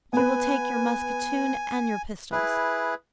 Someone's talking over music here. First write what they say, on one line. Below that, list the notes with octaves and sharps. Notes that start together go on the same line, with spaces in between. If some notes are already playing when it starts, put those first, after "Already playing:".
"You will take your musketoon and your pistols."
B3 B4 G#5
E4 G#4 B4